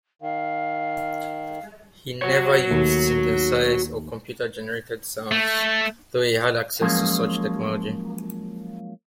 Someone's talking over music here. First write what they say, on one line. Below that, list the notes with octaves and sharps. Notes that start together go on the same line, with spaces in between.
He never used synthesized or computer-generated sounds, though he had access to such technology.
D#3 F5
F#4 C#5
D#2 A3
A3
F3 F#3 G#3 A#3 C#4 F4